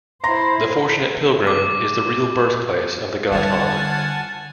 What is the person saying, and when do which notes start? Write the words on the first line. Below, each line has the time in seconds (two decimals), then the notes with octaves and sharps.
"The Fortunate Pilgrim" is the real birthplace of "The Godfather".
0.24 E4 C5 A#5 C6 A#6
1.47 D6
3.31 D3 G3 F4 F#5 G#5 A5